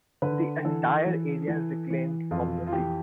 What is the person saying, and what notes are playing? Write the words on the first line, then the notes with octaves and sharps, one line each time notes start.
The entire area is reclaimed from the sea.
D3 B4
E3 A4
E3
E3
E3
F2 F4
F4
E3 G4